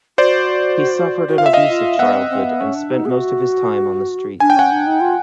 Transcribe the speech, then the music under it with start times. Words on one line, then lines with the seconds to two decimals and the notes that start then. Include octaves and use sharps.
He suffered an abusive childhood and spent most of his time on the streets.
0.18 F#4 C5 D5
1.28 F#4
1.38 F4 F5
1.46 E5
1.53 D#5 F5
1.68 F4
1.99 B3 E5 F#5
2.14 C4
2.30 C4
2.44 B3
2.60 C#4
2.75 D4
2.90 D#4
3.05 G#4
3.10 F#4
4.40 D4 G#5
4.50 G5
4.56 C#4 F#5 G#5
4.71 D4
4.87 D#4
5.01 F4